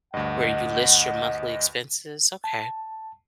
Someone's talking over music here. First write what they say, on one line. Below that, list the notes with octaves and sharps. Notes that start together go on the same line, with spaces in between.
where you list your monthly expenses? Okay.
D2 G2 D#5 F#5
A5